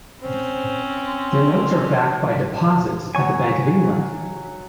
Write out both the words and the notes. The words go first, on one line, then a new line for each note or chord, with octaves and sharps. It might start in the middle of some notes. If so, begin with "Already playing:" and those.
Their notes are backed by deposits at the Bank of England.
C4 C#4 C5
C6
F#3 G#5 C#6